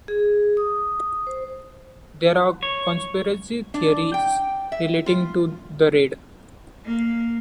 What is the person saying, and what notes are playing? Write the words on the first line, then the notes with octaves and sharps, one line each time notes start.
There are conspiracy theories relating to the raid.
G#4
D#6
C5
C#5
D4
G5
E5
F4
A#3